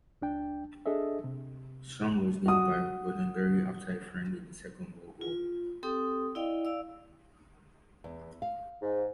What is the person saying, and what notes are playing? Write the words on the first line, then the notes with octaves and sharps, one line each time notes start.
Soong was named by Roddenberry after a friend in the Second World War.
C#2 D4 G5
D4 G#4 A4 D#5 E5
C3
F#4 D#6
F4
C4 G4 A4 G5 D#6
E4 D5 D#5 F5 G5
D5 F5 E6
E2
F5
G#2